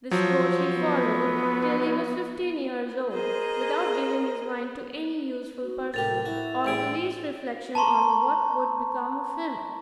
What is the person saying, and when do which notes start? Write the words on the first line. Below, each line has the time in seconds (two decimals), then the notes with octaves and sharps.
This course he followed till he was fifteen years old, without giving his mind to any useful pursuit, or the least reflection on what would become of him.
0.11 F3 F#3
0.78 B3
3.11 G#4 A#4 C5 D#5
5.62 F#4
5.94 A2 C3 G4 A#4 A6 F7
6.26 E4 F#4
6.65 A1 G3 G#4 E6 D7
7.75 A5 A#5 C6 C#6